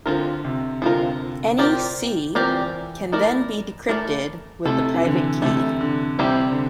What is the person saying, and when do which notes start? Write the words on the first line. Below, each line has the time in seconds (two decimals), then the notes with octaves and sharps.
Any "C" can then be decrypted with the private key.
0.06 D3 F3 C4 F4 A#4
0.45 C3
0.82 D3 F3 C4 F4 A#4
1.58 F3 C4 G4 A#4 D5
2.35 E3 F3 C4 G4 A#4 D5
3.12 A3 E4 A#4 D5
3.89 A3 E4 A#4 D5
4.65 C3 A3 E4 A4
4.94 E3
5.04 D3
5.42 C3 A3 E4 A4
5.81 D3
6.19 C3 G3 C4 E4 G4 C5
6.52 D3